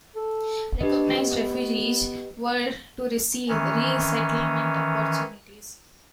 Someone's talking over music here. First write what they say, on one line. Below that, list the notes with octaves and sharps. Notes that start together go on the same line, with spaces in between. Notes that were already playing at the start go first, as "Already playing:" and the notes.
Recognized refugees were to receive resettlement opportunities.
A4
D4 G4 B4 D#5
B3
D#3 E3 C#4